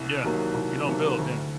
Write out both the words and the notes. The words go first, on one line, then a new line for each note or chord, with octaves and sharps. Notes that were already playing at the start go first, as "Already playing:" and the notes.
Yeah, you don't build, yeah.
Already playing: C2
C3 D#3 F#3 A#3
C2
C3 D#3 F#3 A#3
D2